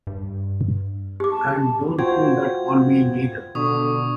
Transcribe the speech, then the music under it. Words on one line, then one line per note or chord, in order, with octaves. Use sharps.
And don't pull that on me neither!
G2
G4 D6
A5
F4 F#4 C5 G5 G#6
B2 D3 C#6 D#6